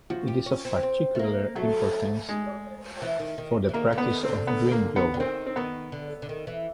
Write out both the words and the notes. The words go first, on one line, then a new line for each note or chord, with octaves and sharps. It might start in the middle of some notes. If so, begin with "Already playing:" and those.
It is of particular importance for the practice of dream yoga.
F3 F#4
G4
C#4
C4
C4
A3
A#3
F#3 A3
G#3
E3
D#3
D#3
E3
D#3 A#3
D3
B3
D#3
C4
D3
B3
A#3
B3
D3
D#3 C4
C4
D#3 B3
D3
D3
D#3
E3